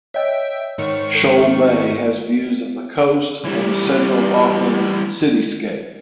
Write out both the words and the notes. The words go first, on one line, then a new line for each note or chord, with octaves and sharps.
Shoal Bay has views of the coast and the central Auckland cityscape.
C#5 D#5 E5 G5
G#2 D#3 C#5 C#6
A4
E3 G3